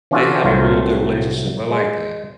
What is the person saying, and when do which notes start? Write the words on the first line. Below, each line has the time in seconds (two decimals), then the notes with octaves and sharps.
they have a real good relationship. I like that.
0.11 E3 C#4 D4 F4 F#4 A4
0.45 C2 C3 F#3 A3 F4
1.71 G#3